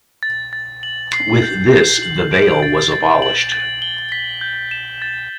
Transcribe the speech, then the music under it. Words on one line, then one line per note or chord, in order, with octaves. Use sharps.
With this, the veil was abolished.
A6
A6
F#7
C7
G6
G6
F#7
D7
A6
A6
F#7
A6
G7
B6
G6
E7
A6